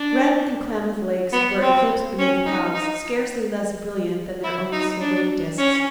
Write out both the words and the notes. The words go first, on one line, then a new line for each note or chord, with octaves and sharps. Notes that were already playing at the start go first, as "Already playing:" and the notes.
Rhett and Klamath Lakes were eclipsed beneath clouds scarcely less brilliant than their own silvery disks.
Already playing: D4
B3
C4
C#4
D#4
D#4
E4
D#4
D4
C#4